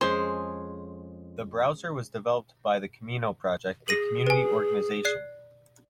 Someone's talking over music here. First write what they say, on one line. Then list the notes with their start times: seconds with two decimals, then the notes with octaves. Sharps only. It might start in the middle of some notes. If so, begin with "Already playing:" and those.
The browser was developed by the Camino Project, a community organization.
0.01 F2 G#3 C#4 G#4 C5
3.88 G#4 A#6 D#7 F#7
4.27 B4 G#5
5.05 D5 F#6 C7